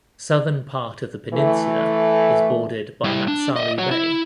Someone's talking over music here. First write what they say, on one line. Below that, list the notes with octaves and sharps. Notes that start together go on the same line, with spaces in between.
Southern part of the peninsula is bordered by Matsalu Bay.
E3 A3
G3 E4
D4
D#5 E5
F#4 C#5
E4